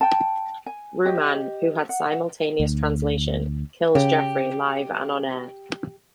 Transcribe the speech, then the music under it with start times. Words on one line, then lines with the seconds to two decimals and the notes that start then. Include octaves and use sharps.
Rumann, who had simultaneous translation, kills Geoffrey live and on-air.
0.01 G5 A5
0.66 G#5
1.05 G4 D#5
1.89 F#5
2.60 D2
3.95 C#3 G4